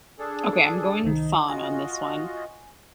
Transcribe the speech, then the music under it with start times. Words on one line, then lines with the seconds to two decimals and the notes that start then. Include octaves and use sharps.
Okay, I'm going song on this one,
0.19 D4 G#4 A4
1.03 C2 D#3 D#4
1.48 F4 F#4 D#5 G#5